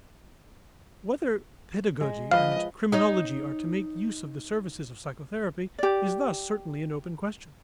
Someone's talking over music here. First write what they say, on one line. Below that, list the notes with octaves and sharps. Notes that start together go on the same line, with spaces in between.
Whether pedagogy and criminology are to make use of the services of psychotherapy is thus certainly an open question.
G#3
F3 B4 D#5 F5
D#4 C#5 D#5
G4 D5